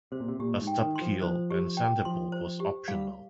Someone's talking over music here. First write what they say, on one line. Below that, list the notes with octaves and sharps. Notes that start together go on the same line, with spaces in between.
A stub keel and centerboard was optional.
C3 C5
A#2
C3
A#2 G4
G#2
G5
D#3
C6
F3
F3 C5
G4
G5
F3 C6
C5
G4
G3 F5